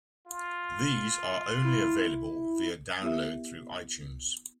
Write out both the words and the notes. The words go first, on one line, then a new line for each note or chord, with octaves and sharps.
These are only available via download through iTunes.
F4
E4
B3 E4 G4 A#4 E5